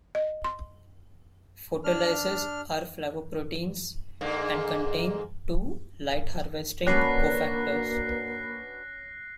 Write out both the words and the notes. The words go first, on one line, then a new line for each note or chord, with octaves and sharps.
Photolyases are flavoproteins and contain two light-harvesting cofactors.
D#5
C6
D4 F6
G#2 D3 A#3
A#3 C#4 D4 F#4 B4 F#6 A#6 C7